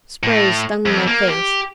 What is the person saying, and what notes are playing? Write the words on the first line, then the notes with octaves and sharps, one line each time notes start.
Spray stung my face.
A2
F2
A#3
G4